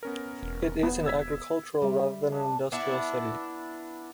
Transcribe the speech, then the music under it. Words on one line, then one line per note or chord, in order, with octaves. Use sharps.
It is an agricultural rather than an industrial city.
B3 C#4 A#4
E1
B3
E6 G#6 B6
G3 E5
D4
B3 D4 E4